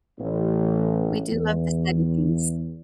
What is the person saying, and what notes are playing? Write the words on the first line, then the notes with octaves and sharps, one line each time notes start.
we do love to study things.
A1
E2